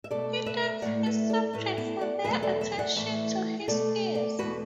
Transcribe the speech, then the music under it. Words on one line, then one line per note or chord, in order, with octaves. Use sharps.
He thanks his subjects for their attention to his ease.
E5
B2 A3 A4 D5
B4 E5
A2 A3 D5 F#5
B4 E5
A4 D5
A2 A3 B4 E5
B3 E4
D5 F#5
E2 B2 F#3 A3 B4 E5
A4 D5
B4 E5
D5 F#5
A2 E3 A3 B4 E5
B2 A3 A4 D5
A4 D5
E2 B2 A3 F#4 B4